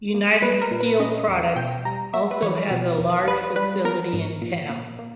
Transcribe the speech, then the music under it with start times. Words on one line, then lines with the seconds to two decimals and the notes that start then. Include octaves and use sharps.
United Steel Products also has a large facility in town.
0.14 A#3
0.42 G3 B4
0.62 A#4
0.71 A#2
0.80 B4
0.99 C#4 D#5
1.28 E2
1.56 B2 G5
1.85 G3 A#5
2.14 A#3 E5
2.31 B4
2.42 E3 C#5
2.71 B2
2.98 E2
3.27 G3 B4
3.56 G3 B4
3.85 B3 A#4
4.13 G#2
4.42 A#2
4.69 A#3
4.99 A#3